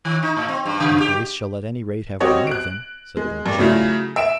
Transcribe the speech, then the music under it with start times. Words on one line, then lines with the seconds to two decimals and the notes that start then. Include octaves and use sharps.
"Your Grace shall at any rate have one of them," said Lord Chiltern.
0.05 D#3
0.23 D#4
0.37 A2
0.48 C4
0.65 G2
0.80 C#3
1.00 G4
2.20 G3 C4 F#4 G4 C#5 D#5
2.47 F#6 D7
3.17 G#3
3.46 G2 D5
3.58 C#3 F#3 A3 E4 F4
4.16 E5 D7 E7